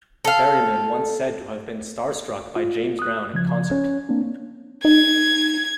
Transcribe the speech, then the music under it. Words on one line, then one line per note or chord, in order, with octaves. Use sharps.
Berryman once said to have been starstruck by James Brown in concert.
A4 F5
F4
D#6 F#6
C#3 F3 G#6
C#4 C#5
A#3 C4 D4
D#4 G#6